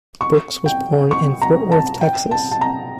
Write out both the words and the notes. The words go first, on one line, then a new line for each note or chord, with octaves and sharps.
Brooks was born in Fort Worth, Texas.
C#6
G5
C#6
A#5
A5
G5
A5
A5
A#5